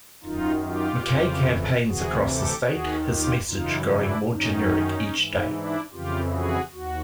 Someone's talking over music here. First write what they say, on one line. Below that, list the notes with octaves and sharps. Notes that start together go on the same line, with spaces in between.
McKay campaigns across the state, his message growing more generic each day.
F#2 D#3 D#4 F4
F4 G4
F2 C#3 E3
D2 C3 E3 F#4 G#4
G4 A4
D#2 D#3 F#4 G#4
F4 G4
F#2 C#3 E3 D#4 F4
D4 E4
F#2 D#3 C#4 D#4
G#2 E3
D4 E4
F2 C#3 E3 F4 G4
F#4 G#4
D#2 F#4